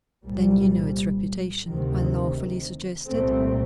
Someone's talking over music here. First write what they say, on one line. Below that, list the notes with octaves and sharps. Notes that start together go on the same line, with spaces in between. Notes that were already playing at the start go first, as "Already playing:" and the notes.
"Then you know its reputation," I laughingly suggested.
C2 A#2 G3
D2 C3 D#3
C2 A#2 A3 C4